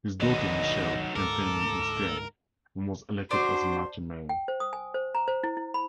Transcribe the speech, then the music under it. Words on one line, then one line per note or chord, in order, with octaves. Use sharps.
His daughter Michelle campaigned in his stead and was elected as Mati mayor.
D1 G1 B2 D3 D#3 F#3 D#4 D#5
D2 G#2 A4 A#4 D6
D4 F#4 C5 C6
G5
C5
D#6
G#5
C5
A#5
C5
E4
E4
B5